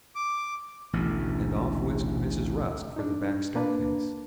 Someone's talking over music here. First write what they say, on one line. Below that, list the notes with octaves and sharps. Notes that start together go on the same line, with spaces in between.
And off whisked Mrs. Rusk for the back staircase.
D6
A1 D2 B2
D4 D#4
A#3 D4 B4 A5